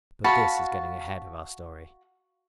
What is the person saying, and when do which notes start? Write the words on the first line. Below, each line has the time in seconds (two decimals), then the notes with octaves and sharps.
But this is getting ahead of our story.
0.24 F#4 F5 A5 B5